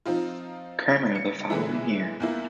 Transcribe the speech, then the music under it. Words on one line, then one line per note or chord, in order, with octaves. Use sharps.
Cramer the following year.
F3 C4 D#4 F4
C#7
A#2 D3 E3 G#3 E4
E2 A#3 E4